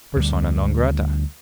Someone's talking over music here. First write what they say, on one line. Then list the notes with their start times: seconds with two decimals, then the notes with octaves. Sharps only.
Persona non grata.
0.16 D2 G3